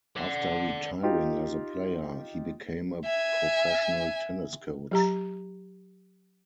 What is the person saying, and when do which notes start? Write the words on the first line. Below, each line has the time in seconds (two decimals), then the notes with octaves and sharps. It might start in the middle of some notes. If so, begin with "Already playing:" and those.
After retiring as a player, he became a professional tennis coach.
0.17 D5 F#5
1.03 D#4 F4 G4
3.05 E5 G#5
4.91 F#3 G4 A#5